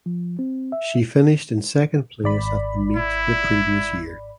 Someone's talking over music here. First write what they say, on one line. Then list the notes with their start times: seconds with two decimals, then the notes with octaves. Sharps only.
She finished in second place at the meet the previous year.
0.06 F3
0.39 C4
0.72 E5
2.24 G#1 D5 B5
2.97 E4